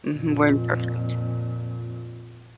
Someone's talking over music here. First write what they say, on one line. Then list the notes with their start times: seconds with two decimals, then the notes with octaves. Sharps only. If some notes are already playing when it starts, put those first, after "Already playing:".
Mhm, we're imperfect.
0.11 F2 A#2